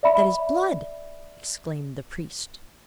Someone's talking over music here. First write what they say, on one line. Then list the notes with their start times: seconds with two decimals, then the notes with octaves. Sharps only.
"That is blood!" exclaimed the priest.
0.03 D5 E5 B5